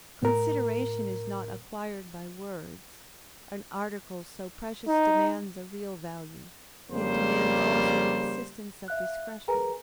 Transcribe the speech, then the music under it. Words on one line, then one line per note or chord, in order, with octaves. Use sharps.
Consideration is not acquired by words; an article so precious demands a real value; it demands also the assistance of discretion.
A2 A#4
D#4
F2 C#3 G3 A#3 C5
E5 F5 F#6
G#4 A#4 B4 G#5 A#5